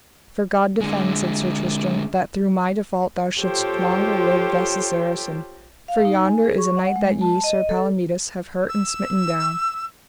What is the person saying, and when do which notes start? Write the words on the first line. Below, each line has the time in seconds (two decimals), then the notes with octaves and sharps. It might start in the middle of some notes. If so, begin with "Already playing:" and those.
For God defend, said Sir Tristram, that through my default thou shouldst longer live thus a Saracen, for yonder is a knight that ye, Sir Palomides, have hurt and smitten down.
0.81 D3 G#3
3.39 F4 G4 A4 C5 C#5 G5
5.88 F5
6.05 D#4
6.25 G#5
6.45 G#4
6.58 C#6
6.77 F#5
6.96 G#3
7.21 A5
7.44 D#5
7.69 A4
8.69 E6